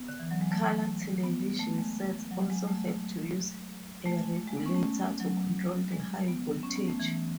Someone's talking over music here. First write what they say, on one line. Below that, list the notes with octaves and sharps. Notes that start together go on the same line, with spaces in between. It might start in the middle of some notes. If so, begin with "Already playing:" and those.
Color television sets also have to use a regulator to control the high voltage.
Already playing: B3
D3
E3
F#3
G#3
A3
B3
A3
G#3
F#3
G#3
A3
A3
G#3
G#3
B3
C#4
A3
F#3
G#3
B3
C#4
B3
A3
E3